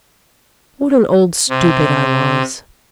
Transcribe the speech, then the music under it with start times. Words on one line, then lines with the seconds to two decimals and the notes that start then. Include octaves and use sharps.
What an old stupid I was!
1.50 C3